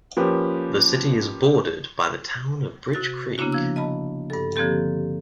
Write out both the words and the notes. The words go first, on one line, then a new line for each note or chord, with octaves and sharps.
The city is bordered by the Town of Bridge Creek.
F3 A#3 C#4 G4 B4
C3 F#4 A6
C#3 A#3 B3 D4 E4 F#4
F3 E6
D#5 A5 B5
G2 A4
D3 F3 A#3 C4 G4 A4